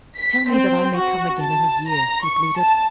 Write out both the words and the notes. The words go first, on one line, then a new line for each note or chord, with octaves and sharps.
"Tell me that I may come again,--in a year," he pleaded.
B6
C4
F#4
A5
A#5
C#6
A5